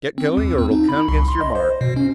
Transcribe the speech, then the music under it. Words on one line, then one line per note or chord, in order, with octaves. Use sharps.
"Get going or it'll count against your mark!"
C4
D#2
C4
D#4
B5
C2
C6
D#5
C5
B2
C#4